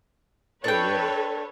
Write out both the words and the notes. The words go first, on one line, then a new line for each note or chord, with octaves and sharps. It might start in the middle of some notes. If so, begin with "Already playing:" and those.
Oh, yeah.
D4 A4 B4 C#5 G5